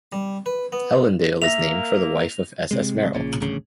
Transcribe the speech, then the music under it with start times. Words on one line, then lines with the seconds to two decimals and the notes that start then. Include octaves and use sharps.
Ellendale is named for the wife of S. S. Merrill.
0.12 G3
0.46 B4
0.72 B3
1.42 A#3 E5 A#6 F7
2.71 C3 G#3
3.13 A#1 A#2 C#3
3.40 D#1 A1 D2 C#3